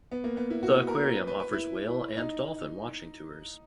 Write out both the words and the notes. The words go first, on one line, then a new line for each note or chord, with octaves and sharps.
The aquarium offers whale and dolphin watching tours.
B3
A#3
B3
E4
F#4
A#4
B4
B4
B4
E4
D#4